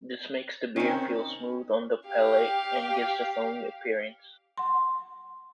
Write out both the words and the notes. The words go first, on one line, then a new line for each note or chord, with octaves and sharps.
This makes the beer feel smooth on the palate and gives a foamy appearance.
D#3 C4 C#4
G4 F5
F#5 C6